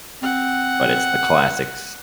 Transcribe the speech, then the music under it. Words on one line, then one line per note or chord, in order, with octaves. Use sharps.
But it's the classics.
C4 F#5